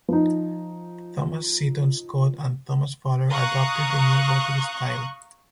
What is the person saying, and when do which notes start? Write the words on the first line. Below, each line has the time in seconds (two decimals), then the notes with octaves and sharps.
Thomas Seaton Scott and Thomas Fuller adopted the Neo-Gothic style.
0.08 F3 D#4
3.30 F5 A#5 C#6 D#6 F#6